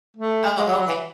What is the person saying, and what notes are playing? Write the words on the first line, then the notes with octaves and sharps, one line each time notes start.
Oh, okay.
A3
G#3
F#3
F#3
E3